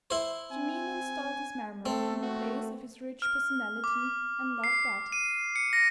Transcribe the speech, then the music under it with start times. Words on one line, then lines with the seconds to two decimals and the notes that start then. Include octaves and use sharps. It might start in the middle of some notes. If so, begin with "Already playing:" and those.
She merely installed his memory in the place of his rich personality and loved that.
0.10 E4 C5
0.51 C4 G#5
1.86 A3 C4 A4
2.23 F#4
3.22 F6
3.84 D6
4.64 C7
5.12 D#7
5.56 C#7
5.73 A#6